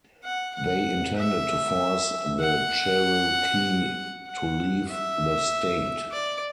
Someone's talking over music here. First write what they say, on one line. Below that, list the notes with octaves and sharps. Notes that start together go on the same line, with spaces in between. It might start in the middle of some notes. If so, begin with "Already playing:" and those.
They intended to force the Cherokee to leave the state.
F#5
F#5
E5
F#5
F#5
E5
D5